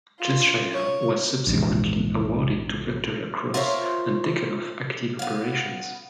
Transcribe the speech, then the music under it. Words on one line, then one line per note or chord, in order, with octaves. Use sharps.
Cheshire was subsequently awarded the Victoria Cross and taken off active operations.
F4
C#5
A#1 E2 G#2
F4 A#4 C5 C#5 E5
B3 F5